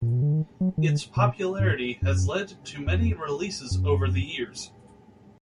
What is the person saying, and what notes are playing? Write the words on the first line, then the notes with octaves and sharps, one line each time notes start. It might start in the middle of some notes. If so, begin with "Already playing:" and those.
Its popularity has led to many releases over the years.
A#2
B2
D3
D#3
F#3
D#3
D3
B2
G#2
F#2
F2
F#2